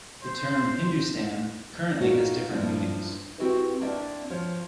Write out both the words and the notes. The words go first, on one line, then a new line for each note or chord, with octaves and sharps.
The term "Hindustan" currently has different meanings.
C5
A#3 D#4 F4 F#4 C#5 F5
G2 F3 D4 E4
C4 E4 F#4 G4 B4
A#3 C4 D4 D5 E5
F3 C#5